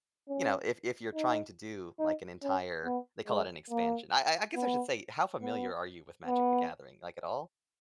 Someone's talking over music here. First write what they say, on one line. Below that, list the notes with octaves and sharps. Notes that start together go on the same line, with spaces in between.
you know, if if you're trying to do, like, an entire they call it an expansion. I I I guess I should say how familiar are you with Magic: The Gathering, like, at all?
C#4
D#4
D#4
C#4
B3
G#3
A#3
B3
B3
B3